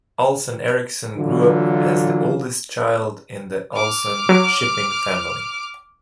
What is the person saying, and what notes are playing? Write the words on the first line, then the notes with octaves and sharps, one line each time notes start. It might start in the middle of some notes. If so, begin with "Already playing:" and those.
Olsson Eriksson grew up as the oldest child in the Olsson shipping family.
D3 E3 F#3 F4
D6 F6
F#3